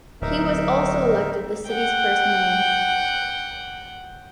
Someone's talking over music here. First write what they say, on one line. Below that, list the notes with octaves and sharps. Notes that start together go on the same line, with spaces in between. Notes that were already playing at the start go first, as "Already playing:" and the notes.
He was also elected the city's first mayor.
D1 D#4 A#4 E5
F#5 G5